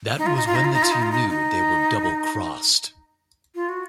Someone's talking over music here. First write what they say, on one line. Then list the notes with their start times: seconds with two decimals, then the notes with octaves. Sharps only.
That was when the team knew they were double crossed.
0.18 D#4
0.26 F4
0.36 D#4
0.46 F4
0.55 D#4
0.64 F4
0.74 D#4
0.83 F4
0.92 D#4
1.02 F4
1.12 D#4
1.29 D#4
3.55 F4
3.69 F#4